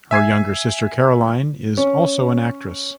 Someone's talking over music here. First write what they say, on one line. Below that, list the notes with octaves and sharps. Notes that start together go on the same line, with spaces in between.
Her younger sister, Caroline, is also an actress.
E5 G#5 G#6 C7
C#4